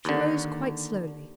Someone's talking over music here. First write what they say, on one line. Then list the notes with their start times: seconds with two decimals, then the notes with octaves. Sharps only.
She rose quite slowly.
0.05 D#2 D3